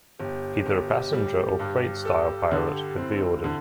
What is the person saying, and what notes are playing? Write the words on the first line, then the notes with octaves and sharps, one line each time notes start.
Either a passenger or freight style pilot could be ordered.
G1 G4
G1
G3
G2
A4
D3
C4 E4
D3